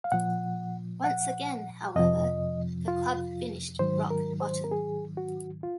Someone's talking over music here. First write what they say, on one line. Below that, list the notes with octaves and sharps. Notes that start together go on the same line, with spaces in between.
Once again however the club finished rock bottom.
F5
A#2 F3 F#5
F#5
F2 C3 F3 D#5
F4
G#2 D#3 F#3 C5
A#4
C5
A#4
G#4
F#4
F4